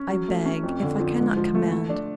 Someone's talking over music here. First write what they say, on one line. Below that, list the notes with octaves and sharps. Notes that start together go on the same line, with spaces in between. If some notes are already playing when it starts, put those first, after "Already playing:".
I beg--if I cannot command.
Already playing: C#4
F#3
A3
C#4
F2
D3
F3
G#2
F3
A3
A3
D4